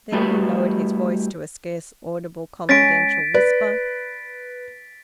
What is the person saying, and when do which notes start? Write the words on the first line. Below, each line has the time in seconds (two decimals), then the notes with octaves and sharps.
Then he lowered his voice to a scarce audible confidential whisper.
0.12 G3 A3 E4 F#4 G4 B4
2.69 G#3 C#4 A6 B6 D7
3.34 B4 D5